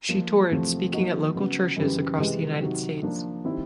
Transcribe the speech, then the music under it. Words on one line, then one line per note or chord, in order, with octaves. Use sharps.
She toured speaking at local churches across the United States.
F3 A#3 D#4
E2 C3 F3 A3 C4
F3 A#3 D#4 F#4
C#3 F#3 B3
F#2 C#3 E3 G3
C3 E3 G#3
C3 D#3 F#3
F3 A#3 D4 F4
D#3 G3 C4 E4